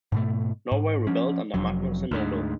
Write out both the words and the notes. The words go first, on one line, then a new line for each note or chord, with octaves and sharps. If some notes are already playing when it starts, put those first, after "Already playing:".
Norway rebelled under Magnus the Noble.
G#2 B2 A3
G#2
F3 C#4
F1 F2 F#3
D2 G#2